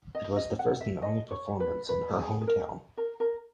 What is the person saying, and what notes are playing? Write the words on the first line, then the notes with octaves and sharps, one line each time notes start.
It was the first and only performance in her home town.
D#5
D#5
F#5
E5
D#5
C#5
B4
B4
G#4
G#4
A#4
A#4
A#4